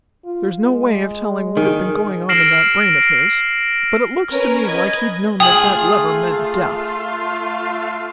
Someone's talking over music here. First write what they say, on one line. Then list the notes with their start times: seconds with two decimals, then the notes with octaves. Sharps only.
There's no way of telling what had been going on in that brain of his, but it looks to me like he'd known that that lever meant death.
0.25 F4
0.60 G#3
1.57 D#3 G#4
2.29 F6 A#6 C7 D7 E7 F#7
4.32 C#4 A#4 B4 C#5
4.66 B4 D#5 G#6
5.40 A3 F4 G#4 G5 D#6 F#7